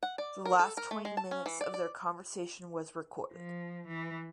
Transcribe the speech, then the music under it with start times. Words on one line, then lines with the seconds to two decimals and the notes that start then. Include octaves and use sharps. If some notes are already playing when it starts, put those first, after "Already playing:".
The last twenty minutes of their conversation was recorded.
0.03 F#5
0.18 D5
0.45 A#4
0.59 A4
0.77 A#4
0.91 A3
1.05 G#3
1.17 A5
1.31 C#4
1.46 E3
1.61 D5
1.74 D5
3.34 F3
3.87 E3